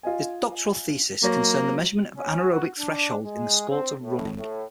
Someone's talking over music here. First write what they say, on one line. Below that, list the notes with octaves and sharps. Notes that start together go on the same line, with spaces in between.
His doctoral thesis concerned the measurement of anaerobic threshold in the sport of running.
F4 D#5 G#5
F#3 A#3 C#5 A#6
C#4
F#4
D4
G#3
C4
A2
A2